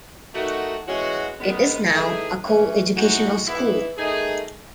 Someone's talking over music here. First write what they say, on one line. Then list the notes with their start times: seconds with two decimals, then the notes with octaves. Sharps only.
It is now a co-educational school.
0.33 D#3 A3 D#4 F#4
0.85 E3 G#3 C#4 F#4
1.37 F#2 D#3 G#3 B3
1.89 G#2 E3 A3 D#4 G#4
2.41 F#2 E3 A3 C#4
2.94 A2 G#3 D#4 F#4
3.46 G#2 E3 B3 E4
3.97 D#3 A3 D#4 G#4